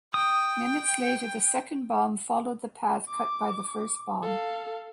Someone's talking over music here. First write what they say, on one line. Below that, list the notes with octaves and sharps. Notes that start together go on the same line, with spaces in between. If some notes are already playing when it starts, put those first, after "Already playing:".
Minutes later the second bomb followed the path cut by the first bomb.
G5 D#6
D6
A4 F5